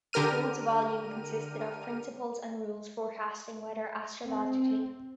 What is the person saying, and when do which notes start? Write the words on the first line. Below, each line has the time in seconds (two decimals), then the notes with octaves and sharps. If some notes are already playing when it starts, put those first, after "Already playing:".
Goad's volume consisted of principles and rules forecasting weather astrologically.
0.13 D3 G4 A#4 F6 D#7
4.25 C4